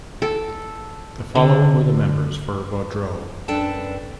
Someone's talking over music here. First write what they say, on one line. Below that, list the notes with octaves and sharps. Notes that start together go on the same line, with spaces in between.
The following were the members for Vaudreuil.
A4
D3
F#2 D4 A4 B4 G5 A5